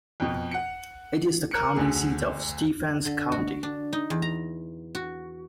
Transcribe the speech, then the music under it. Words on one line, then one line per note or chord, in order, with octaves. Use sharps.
It is the county seat of Stephens County.
F2 B2
F#5 C#7
A#4 F#6 C#7
D2 D3 G#4
D3
F#4
D4
D#4
E2
A#5
F#4